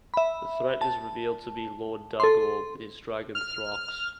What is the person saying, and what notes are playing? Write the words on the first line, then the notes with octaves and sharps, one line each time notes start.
The threat is revealed to be Lord Daggor, with his dragon Thraxx.
E5 B5
A5
A4 C6
F6